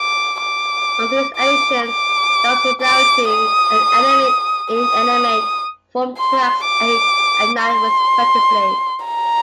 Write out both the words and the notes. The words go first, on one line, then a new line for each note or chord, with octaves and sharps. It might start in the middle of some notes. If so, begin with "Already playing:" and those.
On these editions, "Lost Without You" and "Animate-Inanimate" form tracks eight and nine respectively.
Already playing: D6
D6
D6
D6
D6
D#6
D#6
C6
D6
C6
A#5